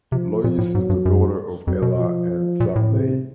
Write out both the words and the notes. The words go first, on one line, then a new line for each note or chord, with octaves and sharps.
Lois is the daughter of Ella and Sam Lane.
C3 F3
A#2 F3
A2
G#2 F#3
G2
F#2
F2 F#3
B2
F3
A#2
A2
C3